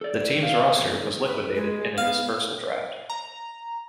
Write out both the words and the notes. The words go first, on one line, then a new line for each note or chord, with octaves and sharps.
The team's roster was liquidated in a dispersal draft.
A4 D5
F5
E2 G3 C4 A4 C#5
B4
G#3
B3 F5
A#5